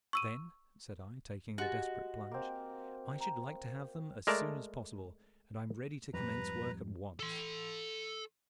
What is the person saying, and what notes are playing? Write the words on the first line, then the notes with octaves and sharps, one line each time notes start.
"Then," said I, taking the desperate plunge, "I should like to have them as soon as possible, and I am ready to commence work at once."
C#6 E6 D#7
G#3 F#4 G4 A6
A#3 C4
A#5
G#3 A3 A#4 D5 A5
F2 G#2 G3 B4 A#5
A4 C6